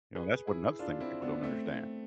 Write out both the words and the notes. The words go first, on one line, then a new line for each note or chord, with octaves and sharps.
You know? That's what another thing that people don't understand.
G#4 B4
E4 G#4
D4 F4
C4 E4
B3 D4
A3 C4